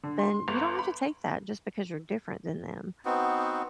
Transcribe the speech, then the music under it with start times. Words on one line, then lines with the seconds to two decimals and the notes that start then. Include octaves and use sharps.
then you don't have to take that just because you're different than them,
0.04 D3
0.19 C6
0.48 G1
0.79 B5
3.05 B3 C4 D#4 F#4